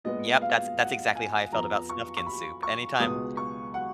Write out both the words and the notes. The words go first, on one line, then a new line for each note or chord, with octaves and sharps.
Yep. That's that's exactly how I felt about Snufkin soup. Anytime
A#2 G#3 B3 D#5
F5
F#5
G#5
F2 F3 B3 A#5
C#6
C#6
B5
C#6
C#2 B2 G#3 B3 D#6
C#6
F#5